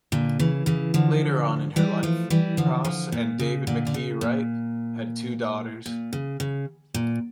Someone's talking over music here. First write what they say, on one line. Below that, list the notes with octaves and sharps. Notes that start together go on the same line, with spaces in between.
Later on in her life, Cross and David McKee Wright had two daughters.
A#2 D3
C#3 E3
C#3 E3
D3 F3
E3 G3
F3 A3
E3 G3
D3 F3
D3 F3
A#2
C#3
A#2 D3
D3
C#3
A#2
A#2
C#3
C#3
A#2